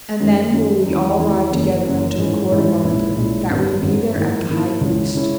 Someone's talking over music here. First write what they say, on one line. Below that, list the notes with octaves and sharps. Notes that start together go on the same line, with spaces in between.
And then will we all ride together unto the court of Arthur, that we be there at the high feast.
F#2 D#3 F#3
F#2 D#3 F#3
E2 D#3 G#3 C#4 E4
E2 D#3 G#3 C#4 E4
F#1 F#2 E3 A#3 C#4
F#1 F#2 E3 A#3 C#4
G#2 E3 G#3 C#4 E4
G#2 E3 G#3 C#4 E4
B1 A#2 G#3 C#4 E4
B1 A#2 G#3 C#4 E4
G#1 F#2 D#3 F#3 B3
G#1 F#2 D#3 F#3 B3
G#2 D#3 A#3 E4
G#2 D#3 A#3 E4
C#2 C#3 G#3 C#4 E4
C#3 G#3 C#4 E4